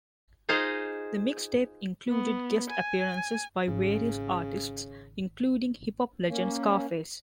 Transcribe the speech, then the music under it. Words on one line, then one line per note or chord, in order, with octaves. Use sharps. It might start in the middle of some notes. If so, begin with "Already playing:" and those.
The mixtape included guest appearances by various artists, including hip-hop legend Scarface.
D#4 F4 G#4 C5 D#5 F5
B3
G#5
G#1 C#3
A#3 C#4